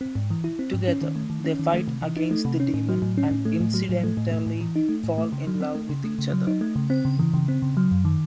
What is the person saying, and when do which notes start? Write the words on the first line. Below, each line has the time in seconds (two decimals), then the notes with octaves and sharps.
Together, they fight against the demon and incidentally fall in love with each other.
0.01 C4
0.15 G#2
0.30 E3
0.44 E4
0.59 C4
0.74 G#2
0.88 C#4
1.02 D#3
1.16 A3
1.30 D#3
1.45 C#4
1.60 D#3
1.73 A3
1.88 C3
2.02 E3
2.17 D#4
2.31 A3
2.45 C3
2.60 C#4
2.74 A2
2.89 F#3
3.02 A2
3.18 C#4
3.31 A2
3.45 A3
3.60 A2
3.74 F#3
3.89 A2
4.04 A3
4.17 A2
4.31 A3
4.47 A2
4.61 E3
4.76 D#4
4.89 A3
5.04 A2
5.18 A3
5.32 C#3
5.47 F#3
5.61 C4
5.75 A3
5.89 C#3
6.04 A3
6.19 C#3
6.33 F#3
6.47 D#4
6.61 A3
6.76 C#3
6.90 C4
7.05 C#3
7.19 E3
7.34 C#3
7.48 C4
7.62 C#3
7.77 F#3
7.91 F#2
8.05 D#3